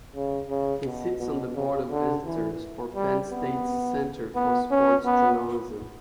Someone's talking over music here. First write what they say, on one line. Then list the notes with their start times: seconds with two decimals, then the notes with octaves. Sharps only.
He sits on the Board of Visitors for Penn State's Center for Sports Journalism.
0.15 C#3
0.50 C#3
0.85 B2
1.19 B2
1.55 C#3
1.90 D3
2.25 E3
2.95 G3
3.30 B3
4.35 B3
4.71 C#4
5.05 B3